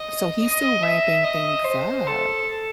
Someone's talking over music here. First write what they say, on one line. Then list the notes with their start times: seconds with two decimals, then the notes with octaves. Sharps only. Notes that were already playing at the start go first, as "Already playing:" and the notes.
So, he's still ramping things up.
Already playing: D#5
0.42 D#5
0.83 E5
1.24 D#5
1.65 C5
2.07 A4